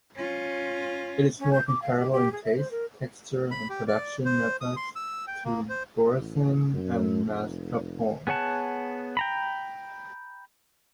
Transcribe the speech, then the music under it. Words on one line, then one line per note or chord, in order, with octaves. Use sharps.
It is more comparable in taste, texture, and production methods to Boursin and Mascarpone.
C#4 F4
C#4
G6
D6
F5
G4
G4
G#4
E5
C5
A#4
B5
G4
D5
C5
D#6
C6
E6
G5
A#3
C5
A1
F#2
F1
B3 G#4 C#5 F#5 A5
G5 A#5 B5